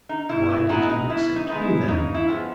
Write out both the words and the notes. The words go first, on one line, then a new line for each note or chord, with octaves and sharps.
"Why did you accept me then?"
D#4
B2 E4
E4
G#3 B3 D#4 E4 F#4
D#4
B2 E4
D#4
G#3 B3 D#4
E4
C#3 D#4
E4
F3 G#3 B3